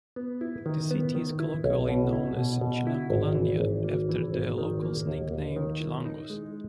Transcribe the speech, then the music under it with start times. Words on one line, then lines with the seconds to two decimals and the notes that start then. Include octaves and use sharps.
The city is colloquially known as "Chilangolandia" after the locals' nickname "chilangos".
0.16 B3
0.41 E4
0.66 D#3
0.91 B3
1.15 D#3
1.39 E4
1.64 B1
1.88 B2
2.12 E4
2.37 B2
2.61 B2
2.87 E4
3.10 G#1
3.35 E3
3.60 G#1
3.84 A#3
4.09 E3
4.33 G#1
4.58 D#3
4.82 A#3
5.07 D#2
5.31 D#2
5.56 D#3
5.80 E4
6.05 D#4
6.30 G#3